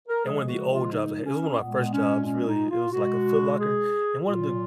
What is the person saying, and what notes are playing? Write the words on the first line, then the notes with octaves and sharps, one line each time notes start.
in one of the old jobs I had- It was one of my first jobs, really.- It was, like, a Foot Locker, and one of the
A#4
C#3 F3 G#3 G#4
F#4
F4
D#4
C#4
A#2 G#3 B3
C#4
C#4
D#4
F4
B2 G#3 F#4
G#4
A#2 F#3 F4